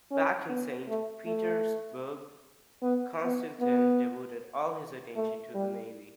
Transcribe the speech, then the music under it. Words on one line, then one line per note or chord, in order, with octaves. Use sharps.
Back in Saint Petersburg, Konstantin devoted all his attention to the navy.
C#4
B3
A3
A3
B3
B3
B3
A3
G3